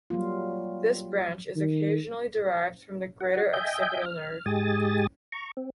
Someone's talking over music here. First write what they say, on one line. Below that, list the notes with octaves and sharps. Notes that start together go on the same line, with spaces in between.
This branch is occasionally derived from the greater occipital nerve.
F#3 G3 A#3 F4
D#3
F#4 F#5
D#5 E5 G5 G#5 G6
F6
G#2 G#3 G4 G#5 D#6 A6
A#5 C#6
C4